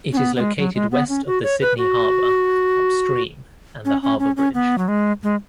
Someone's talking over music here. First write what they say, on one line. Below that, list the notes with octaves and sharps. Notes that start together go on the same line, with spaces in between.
It is located west of the Sydney Harbour upstream and the Harbour Bridge.
C#4
B3
B3
G#3
F#3
G#3
B3
C#4
F#4
C#5
B4
F#4
C#4
C#4
C#4
C#4
B3
F#3
G#3
G#3